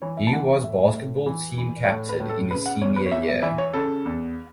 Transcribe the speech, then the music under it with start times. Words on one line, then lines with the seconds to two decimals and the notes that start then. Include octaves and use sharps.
He was basketball team captain in his senior year.
0.02 E3 C#5
0.17 E5
0.27 A5
0.33 E3 F#5
0.64 A2 E5
0.95 A2
1.26 E3
1.58 E3
1.88 A2 C#5
2.09 B4
2.20 A2
2.29 A4
2.50 C#3 B4
2.66 F#5
2.82 E2 C#5
2.96 B4
3.06 C#5
3.12 E2 E5
3.28 E5
3.42 E3 E5
3.58 C#5
3.73 C#3 A4
4.06 E2